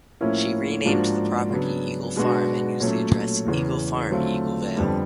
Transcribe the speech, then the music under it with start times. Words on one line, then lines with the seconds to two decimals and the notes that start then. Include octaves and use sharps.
She renamed the property 'Eagle Farm' and used the address 'Eagle Farm, Eagle Vale.
0.21 A2 F3 A#3 C#4 E4
0.85 G#2 F3 A#3 D4 F#4
1.50 C#3 F#3 B3 D4
2.16 B2 G#3 B3 D4 F#4
2.80 A#2 F#3 A3 C#4
3.46 E2 C#3 E3
4.11 D3 F#3 A3 C4 F4
4.76 F2 D3 G3 B3 D4